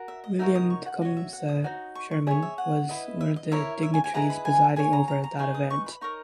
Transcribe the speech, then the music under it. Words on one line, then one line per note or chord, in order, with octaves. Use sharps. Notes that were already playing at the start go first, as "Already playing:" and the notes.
William Tecumseh Sherman was one of the dignitaries presiding over that event.
Already playing: F#4 A#4
E5
D#5
D#4 F#4 A#4 C#5 E5
D#6
C#6
F#5
F#4 C#5 D#5
E5
F#5
D#6
D#4 F#4 C#5
C#6
C#6
G#4 C#5 E5
E5
F#5
E4 B4 D#5
E5
D#5
E4 A#4 C#5 E5
E5
G#5
G#5
E4 G#4 B4 D#5 A#5
B5
G#5
G#4 C#5 G#5
A#5
A#5
A#5
D#4 G#4 B4 C#6
D#6
C#6
B5
D#4 A#4 C#5 C#6